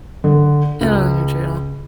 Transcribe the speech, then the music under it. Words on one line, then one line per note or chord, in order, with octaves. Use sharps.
I don't like country at all.
D3
C#2